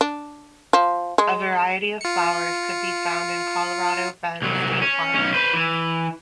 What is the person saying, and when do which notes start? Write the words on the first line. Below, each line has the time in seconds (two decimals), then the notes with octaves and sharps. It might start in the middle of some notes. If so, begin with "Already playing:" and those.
A variety of flowers could be found in Colorado Bend State Park.
0.01 D4
0.73 F3
1.18 G#3
2.01 F4 C#7
4.42 C2 F#3
4.82 C#4
5.15 B1 C#4
5.34 B4 C5
5.53 E3